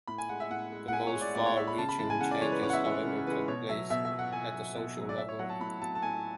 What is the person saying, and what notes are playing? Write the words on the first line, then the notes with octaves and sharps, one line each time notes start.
The most far-reaching changes, however, took place at the social level.
A2 B5
G#5
G#3 F#5
E5
A2 F#5
G#3
F#5
A2 G#5
C#5
G#3
D5
A2 D5
C#5
G#3 E5
B5
C#3 A5
B5
E3 G#3 A5
G#5
C#3 F#5
D5
E3 G#3 C#5
B4
C#3 C#5
F#5
E5
E3 G#3 E5
C#3
E3 G#3 B4
B2 C#5
F#3 E5
B2 E5
E5
F#3
F#5
B2 G#5
F#3
B2
F#3
D5
A2 E5
C#5
F#3 F#5
A5
A2 B5
F#3 A5
A5
A2 G#5